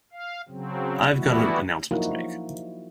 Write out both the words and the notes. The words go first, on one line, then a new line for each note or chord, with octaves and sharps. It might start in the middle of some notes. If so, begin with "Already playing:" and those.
Iâve got an announcement to make.
F5
C#3 F#3 C4
E3 G3 A3 B3 E4 F#4
F3 F#3 A#3 D#4 E4 F#4